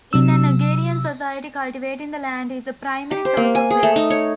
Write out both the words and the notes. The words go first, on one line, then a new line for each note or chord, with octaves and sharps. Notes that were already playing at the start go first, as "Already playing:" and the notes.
In an agrarian society cultivating the land is the primary source of wealth.
C3 F#3 E6
G4
C5
A#3
G#5
G#4
A3
D#4
C#5